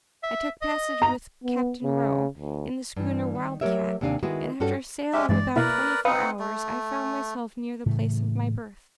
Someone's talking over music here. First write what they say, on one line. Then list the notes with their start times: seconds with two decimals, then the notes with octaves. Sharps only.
I took passage with Captain Rowe, in the schooner Wild Cat, and, after a sail of about twenty-four hours, I found myself near the place of my birth.
0.23 E5
0.62 D#5
1.02 A#5
1.44 B3
1.83 C#3
2.38 D2
2.96 G2 E3
3.35 D#3
3.61 F#3 A3 G4 A#4 C#5 E5
4.01 D#2 C3 D4 F5 G#5
4.23 D#3 G#3 B3 E4 F#4
4.60 G2 C#4 F#4 A4
5.13 G#3 C#4 G4 E5
5.29 G2 E3 G#3 D5
5.56 B2 A#3 E4 A#4 B4 D5
6.05 C4 D#4 B4 F5 F#5 D#6
6.40 A3
7.86 A2 C#3 E3 A3